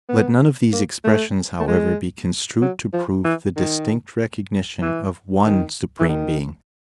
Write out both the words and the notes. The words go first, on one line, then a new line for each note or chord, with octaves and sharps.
Let none of these expressions, however, be construed to prove the distinct recognition of One Supreme Being.
B3
A#3
A3
A3
G#3
F#3
F3
E3
D#3
E3
D#3
E3
D#3